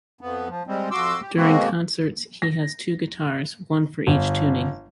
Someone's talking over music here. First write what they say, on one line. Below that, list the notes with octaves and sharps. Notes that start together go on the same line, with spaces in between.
During concerts, he has two guitars - one for each tuning.
F2 B3
F3
G3 G#3 C4
F2 F#4 C6 D6 E6
G4
B2 G#3 A#3 C4 F#4
A#6
G1